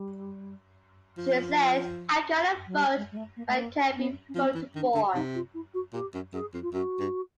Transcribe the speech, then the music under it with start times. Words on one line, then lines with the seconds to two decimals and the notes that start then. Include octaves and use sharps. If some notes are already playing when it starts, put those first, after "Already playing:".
She said, I cannot vote but I can be voted for.
Already playing: G3
1.18 F3
2.67 F#3
2.76 G3
2.96 G#3
3.12 G#3
3.16 A3
3.37 A#3
3.47 A3
3.55 A#3
3.95 B3
4.29 C#4
4.35 F3 C4
4.54 E3
4.75 D#3 D4
4.95 D3
5.15 C3 D#4
5.35 F4
5.54 E4
5.74 F#4
5.93 A#2 G4
6.14 F#2
6.33 F#2 G#4
6.54 F2
6.62 F4
6.73 F#2 F#4
6.99 G2